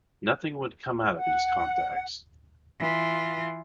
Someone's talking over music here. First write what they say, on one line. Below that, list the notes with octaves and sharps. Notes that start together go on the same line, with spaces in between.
Nothing would come out of these contacts.
F#5
E3 F4